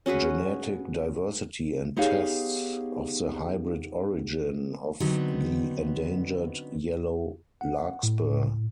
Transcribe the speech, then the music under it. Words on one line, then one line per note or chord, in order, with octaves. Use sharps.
Genetic diversity and tests of the hybrid origin of the endangered yellow larkspur.
C#4 F#4 G#4 B4
B3 D#4 G4 G#4 C#5 F5
D3 F#3 B3 C4 D4 D#4
F#5
A2